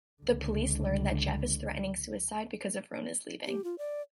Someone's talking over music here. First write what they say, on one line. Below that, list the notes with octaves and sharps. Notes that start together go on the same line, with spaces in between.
The police learn that Jeph is threatening suicide because of Rona's leaving.
C#2 D3
G4
F4
D5